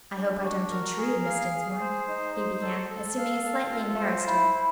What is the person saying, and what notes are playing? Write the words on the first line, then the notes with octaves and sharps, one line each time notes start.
"I hope I don't intrude, Miss Dinsmore," he began, assuming a slightly embarrassed air.
D4
F#4
A#4
G#4
F5
G#4
C5
D#4
C5
A4
A4
F5
A4
F4
C5
E4
E4